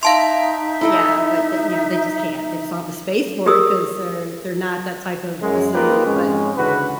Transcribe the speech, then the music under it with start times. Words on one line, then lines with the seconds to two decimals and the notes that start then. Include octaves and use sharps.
yeah, but they you know, they just can't, they just don't have the space for it 'cause they're they're not that type of facility, but,
0.03 D#4 E5 F5 A5 C6
0.81 E4 A4 D#5
3.46 G4 G#4 A#4 D#6 E6
5.41 F#2 G#3
5.73 A#3 D#4 F4 G4 A#4 B4
6.06 F2 G#2 G#3 C#4
6.56 C#2 D3 E3 F#4 B4